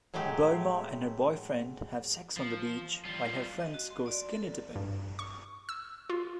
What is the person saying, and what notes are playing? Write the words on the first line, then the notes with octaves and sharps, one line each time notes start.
Burma and her boyfriend have sex on the beach while her friends go skinny-dipping.
A2 F#3 G#3 A3 G4
F3
G3 F4
D#5
F#4
C6
D5
A4
G2
C#6
E6
F4